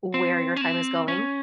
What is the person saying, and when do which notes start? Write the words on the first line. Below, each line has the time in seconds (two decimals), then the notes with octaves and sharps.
where your time is going
0.14 C4
0.56 C#4
0.61 C4
1.08 C#4